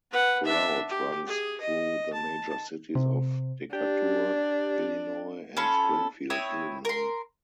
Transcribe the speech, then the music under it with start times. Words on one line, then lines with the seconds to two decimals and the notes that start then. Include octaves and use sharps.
The route runs through the major cities of Decatur, Illinois and Springfield, Illinois.
0.11 B4 F#5
0.46 D4 E5
0.89 G4
1.27 G#4
1.61 D#5
2.13 A5
2.95 C3
3.73 D4 G4
5.57 C#4 F4 A4 B5
6.30 C4 E4 C#5 D#6
6.85 A#4 C6